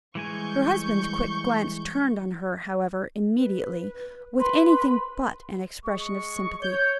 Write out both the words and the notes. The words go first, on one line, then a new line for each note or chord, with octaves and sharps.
Her husband's quick glance turned on her, however, immediately, with anything but an expression of sympathy.
E3 G3 G#3 G#5 C#6 G6
B4
B4 C6
G#3 C#6
C#5 G6